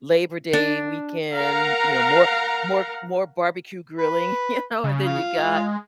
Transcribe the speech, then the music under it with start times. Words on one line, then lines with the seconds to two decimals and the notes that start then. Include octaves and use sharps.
Labor Day weekend, you know, more more more barbecue grilling, you know, and then you got,
0.53 D4
1.36 A#4 F5 F#5 A#5
3.98 B4
4.84 C#3
5.06 F4
5.39 G#3